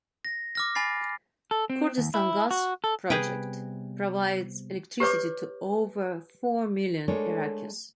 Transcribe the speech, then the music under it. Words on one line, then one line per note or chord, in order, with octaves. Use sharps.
Kurdistan Gas project provides electricity to over four million Iraqis.
A#6
D6 F6 A#6
G#5 B5 A6 C7
A4
C4
D#2
E4
F#4
A4
C3 G3 B3 G#4 B4 G5
G4 B4 C#5 D6
G#3 A3 D4 A4 A#4 C#5